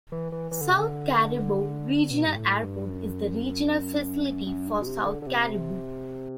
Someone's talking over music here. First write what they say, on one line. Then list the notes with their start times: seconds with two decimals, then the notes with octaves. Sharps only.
South Cariboo Regional Airport is the regional facility for the South Cariboo.
0.12 E3
0.32 E3
0.51 E3
0.61 D3
0.70 C3
0.79 D3
2.11 B2
2.26 G2
2.36 A2
2.63 G2
2.89 F#2
4.47 F#2
4.67 G2
4.82 B2
4.87 C3
5.06 D3
5.22 D3
5.27 C3